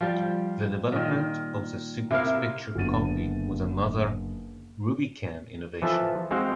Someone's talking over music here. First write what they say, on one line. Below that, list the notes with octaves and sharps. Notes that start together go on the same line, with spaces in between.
The development of the "sequence-picture copy" was another Rubicam innovation.
F3 G3
A#2 D#3
C3 E4 A#4 F5
F#1 D3 B3 A6 D#7
E3 F3 F4 A4 E5
G#3 C4 F#4 F5 G5